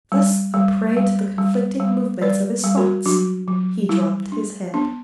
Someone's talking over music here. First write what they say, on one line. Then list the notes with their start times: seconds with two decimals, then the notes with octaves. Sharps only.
Thus a prey to the conflicting movements of his thoughts, he dropped his head.
0.12 G3
0.54 G3
0.97 G3
1.38 G3
1.80 G3
2.21 G3 B4 D5
2.64 G3
2.77 F#4 A#4
3.05 F#3 D4 F#4
3.48 F#3
3.89 G3 E4
4.32 D4
4.74 B3 D4